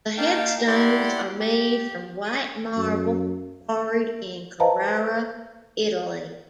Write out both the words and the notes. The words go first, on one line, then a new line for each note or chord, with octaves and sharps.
The headstones are made from white marble quarried in Carrara, Italy.
A#3 D#4 F5 G5 A5
E4 G4 D5 F#5 C6
G4
D#6
F#2
B4 C5 D#5 F5 A5 A#5